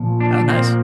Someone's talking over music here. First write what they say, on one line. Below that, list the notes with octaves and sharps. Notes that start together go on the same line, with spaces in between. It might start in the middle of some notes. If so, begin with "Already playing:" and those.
Oh, nice.
Already playing: A#2 F3
D4
D4
A#2 F3 A#3 C4